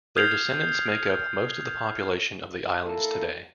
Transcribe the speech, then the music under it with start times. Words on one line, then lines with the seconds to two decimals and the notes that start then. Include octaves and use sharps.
Their descendants make up most of the population of the islands today.
0.16 D#6 F6 G6 G#6 C7 F7
2.84 A#3 E4 A4